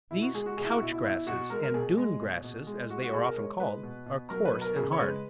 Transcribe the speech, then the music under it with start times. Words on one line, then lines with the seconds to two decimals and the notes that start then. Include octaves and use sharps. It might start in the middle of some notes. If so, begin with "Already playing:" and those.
These Couch Grasses and Dune Grasses, as they are often called, are coarse and hard.
0.11 B2 E4
0.22 F#4
0.34 G#3 G#4
0.46 F#4
0.58 B2 G#4
0.64 E4
0.70 F#4
0.81 B2 E4
0.92 E4
1.04 B2 E4
1.27 B2 F#4
1.50 G#3 A#4
1.63 A#4
1.74 B2 G#4
1.97 G#3
2.20 B2
2.44 B2
2.67 G#3
2.90 G#3 F#4
3.03 F#4
3.13 B2 G#4
3.25 A#4
3.37 G#3 C#5
3.60 G#3 B4
3.83 B2
4.06 B2
4.30 F#3 A#4
4.45 B4
4.53 B2
4.61 A#4
4.76 C#3 G#4
4.92 C#5
5.00 G#3 B4